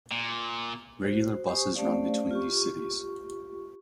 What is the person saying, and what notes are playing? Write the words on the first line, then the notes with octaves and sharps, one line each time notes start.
Regular buses run between these cities.
A#2
F#4 C5
G4 C5 G#5 C#6 D#6
A3 C#4 G4 C5 D5 F5
F4 G4 C#6